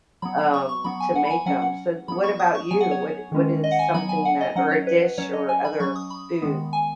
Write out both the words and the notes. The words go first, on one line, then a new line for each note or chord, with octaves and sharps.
um, to make 'em, so what about you? What what is something that or a dish or other food?
F#3 B3 B5
B5
C#6
C#6
F#3 B3 B5
G#5
F#5
B5
G#5
F#3 C#4 F#5
F#5
F#3 B3 B5
C#6
D#6
C#6
F#3 B3 G#5
F#5
C#5
D#3 G#3 C#4
D#5
F#5
G#5
F#3 B3 B5
G#5
F#5
D#5
F#3 C#4 F#5
C#5
B4
F#3 C#4 C#5
D#5
G#5
B5
F#3 C#4 C#6
D#6
B5
D#3 G#3 B3
G#5